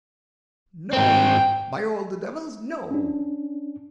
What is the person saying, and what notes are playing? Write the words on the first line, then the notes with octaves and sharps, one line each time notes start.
"No! By all the devils, no!"
G#2 C4 G5
C#4 D4